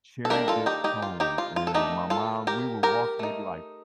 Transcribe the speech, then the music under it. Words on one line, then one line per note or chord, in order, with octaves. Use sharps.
cherry-dipped cones, and my mom we would walk maybe, like,
A4
D#3 A#3 D4 G4 A#4
F4 A4
D#4 G4
D#4 G4
F4
D#4 G4
F4
F4
A4
D#3 A3 D4 D#4 G4
F4 A4
G4 A#4
G4 A#4
A3 D#4